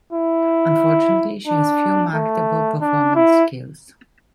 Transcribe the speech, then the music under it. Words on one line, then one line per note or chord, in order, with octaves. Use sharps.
Unfortunately, she has few marketable performance skills.
E4
D4
A3
D4
E4